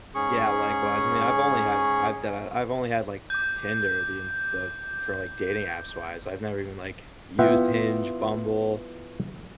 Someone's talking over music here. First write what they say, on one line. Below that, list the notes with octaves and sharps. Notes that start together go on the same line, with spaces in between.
Yeah, likewise, I mean, I've only had I've done I've only had, like, Tinder, the en the for, like, dating apps wise. I've never even, like, used Hinge, Bumble
G#2 C#4 G#4 C#6
D6 G6
B3 E4 F4 E5 F#5 G5